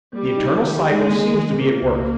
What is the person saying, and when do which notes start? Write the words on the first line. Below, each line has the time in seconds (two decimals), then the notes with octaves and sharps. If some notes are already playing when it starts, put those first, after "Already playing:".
The eternal cycle seems to be at work.
0.13 G3 A#3
0.37 D#4
0.62 D#3
0.86 G#3 D#4
1.10 A#3
1.34 D#3
1.58 C#3 A#3
1.82 C#2